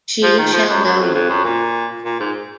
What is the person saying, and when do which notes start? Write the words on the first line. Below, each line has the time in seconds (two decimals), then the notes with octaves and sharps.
She shall know you.
0.23 F3
0.38 D#3
0.53 F3
0.69 F#2
0.85 F#2
1.00 F2
1.15 F2
1.29 F#2
1.45 A#2
2.05 A#2
2.20 G#2